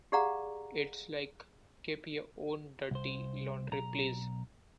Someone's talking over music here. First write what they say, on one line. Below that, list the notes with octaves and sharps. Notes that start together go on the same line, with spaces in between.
It's like 'Keep your own dirty laundry, please'.
G4 G#4 D5 F5 F#5 A#5
C2 C5
B1 A#5